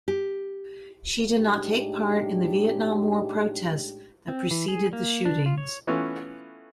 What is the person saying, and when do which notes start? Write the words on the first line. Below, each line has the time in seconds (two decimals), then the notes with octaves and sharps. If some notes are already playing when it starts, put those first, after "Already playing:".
She did not take part in the Vietnam War protests that preceded the shootings.
0.08 G4
1.37 A2 G#3 D4 D#4 G4
4.28 C4
4.51 E3
4.68 G#4
4.93 A#3
5.25 D4
5.46 F4
5.58 C#5
5.87 E3 A3 B3 C#4 F4